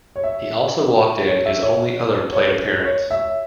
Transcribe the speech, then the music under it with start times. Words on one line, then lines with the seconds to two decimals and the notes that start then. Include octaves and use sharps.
He also walked in his only other plate appearance.
0.16 C#5
0.24 E5
1.28 C#5
1.46 E5
1.63 C#5
2.33 C#5
2.85 C#5
3.10 E5